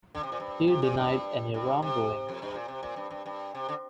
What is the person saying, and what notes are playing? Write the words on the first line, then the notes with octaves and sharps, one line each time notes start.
He denied any wrongdoing.
D3
C3
A#2
G2
C3
A#2
G2
G2
C3
F2
G2
A#2
C3
A#2
G2
G2
G2
C3
D3